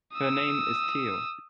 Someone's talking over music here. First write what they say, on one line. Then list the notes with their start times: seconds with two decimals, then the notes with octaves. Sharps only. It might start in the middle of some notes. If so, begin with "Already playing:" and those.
Her name is Teo.
0.14 D#6 E6